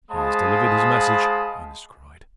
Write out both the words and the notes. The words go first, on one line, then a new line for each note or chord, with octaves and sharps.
"He has delivered his message," Ernest cried.
G#3 C5 F5 A5 B5 D#6